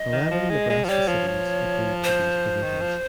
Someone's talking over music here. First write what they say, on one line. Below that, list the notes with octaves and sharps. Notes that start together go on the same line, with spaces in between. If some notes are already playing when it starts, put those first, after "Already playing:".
Eleven Nebraska cities agreed to these provisions.
Already playing: D#5
D#3
F3
G#3
G#3
F3
G3 C#5
F3
F3
C5
D#3
F3